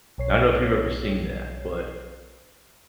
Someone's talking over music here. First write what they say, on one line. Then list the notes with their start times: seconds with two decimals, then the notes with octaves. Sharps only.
I don't know if you've ever seen that, but
0.18 B1 C#5 C7